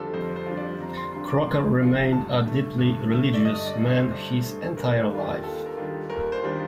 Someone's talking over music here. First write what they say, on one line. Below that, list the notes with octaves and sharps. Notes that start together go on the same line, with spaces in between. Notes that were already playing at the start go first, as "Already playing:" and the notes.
Crocker remained a deeply religious man his entire life.
Already playing: F2 D3 G3 D4 F4 A4 C5
F2 C5
C5
D3 G3 D4 F4
D5
F2 A#5
C6
D3 G3 D4 F4 C6
D6
F2 C6
D3 G3 D4 F4
G2 A5
D3 A3
G2
D3 A3
D5
G2 D#5
D5
D3 A3
C5
G2
D3 A3
D#2 A#4
A4
D#3 G3 D4 F4
G4
D#2 A4
A#4
D#3 G3 D4 F4
D#2 A#4
C5
D#3 G3 D4 F4